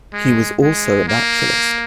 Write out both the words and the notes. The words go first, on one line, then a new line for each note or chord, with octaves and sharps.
He was also a naturalist.
G#3
G#3
A#3